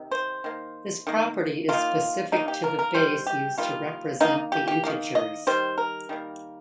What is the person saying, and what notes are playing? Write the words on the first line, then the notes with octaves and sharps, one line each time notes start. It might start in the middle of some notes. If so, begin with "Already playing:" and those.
This property is specific to the base used to represent the integers.
Already playing: C3 D#3
C5
D#3 A#3
D#3 A#3
D#3 A#3 F4
D#3 A#3 D#4
G4
A#4
A#4
D#3 G3 C5
G4
D#3 G3 A#3 F4
D#3 A#3 D#4
G4
G4
D#3 A#3
D#5
D#3 G3 C5
A#4
D#3 G3 A#3